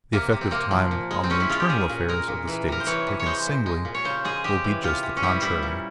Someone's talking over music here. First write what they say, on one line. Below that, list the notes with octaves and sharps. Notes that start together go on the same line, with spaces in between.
The effect of time on the internal affairs of the States, taken singly, will be just the contrary.
C3 A#3
C3
C4
C3 A#3
F3
A#2
G#3
C4
G#3 C#4
E4
G#3 F4
G4
A#2 G#4
A#2
G#3 A#4
A#2
E3
C3 A#4
C5
E3 C#5
C3
C#5
G#3 C5
A#2
G#3
A#2
C#5
C#3 C5
G#3 G#4
G#3 G4
E3
C3 F4
C3
C#4
G3 E4
G3 E4
A#2